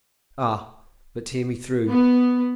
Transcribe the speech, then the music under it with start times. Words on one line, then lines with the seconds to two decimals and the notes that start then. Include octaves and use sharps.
Ah, but hear me through.
1.88 B3